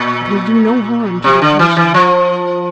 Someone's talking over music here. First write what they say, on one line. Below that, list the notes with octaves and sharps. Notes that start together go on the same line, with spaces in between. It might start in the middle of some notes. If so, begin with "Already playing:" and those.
It will do no harm to be patient.
Already playing: A#2
C3
D3
E3
E3
F3